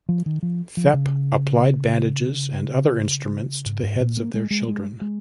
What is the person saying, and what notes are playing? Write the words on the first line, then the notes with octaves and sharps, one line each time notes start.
Thep applied bandages and other instruments to the heads of their children.
F3
D#3
F3
F3
C#3
G#2
G#2
A#2
A#3
G#3
G#3
G#3
G#3